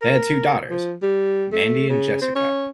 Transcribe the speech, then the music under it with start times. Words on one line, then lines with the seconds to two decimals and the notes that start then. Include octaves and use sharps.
They had two daughters, Mandy and Jessica.
0.02 A#4
0.70 F3
1.02 G3
1.52 A3
1.90 C#3
2.22 C4
2.35 C#4